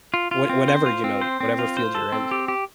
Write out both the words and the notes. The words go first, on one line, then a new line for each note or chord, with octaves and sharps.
what whatever, you know whatever field you're in.
F4
F4
C4
C5
F4
C4
C5
C4
F4
C5
A4
C4
G4
G4